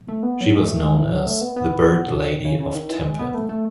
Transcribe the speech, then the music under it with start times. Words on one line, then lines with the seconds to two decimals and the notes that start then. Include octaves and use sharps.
She was known as "the Bird Lady of Tempe".
0.08 A3
0.23 B3
0.41 F#3
0.54 G#3
0.67 A3
0.82 G#3
0.97 E3
1.12 F#3
1.26 A3
1.41 B3
1.56 B3
2.06 B2
2.16 C#3
2.31 D#3
2.45 C#3
2.60 C#3
2.75 D#3
2.89 E3
3.04 G#3
3.19 B3
3.34 A3
3.49 A3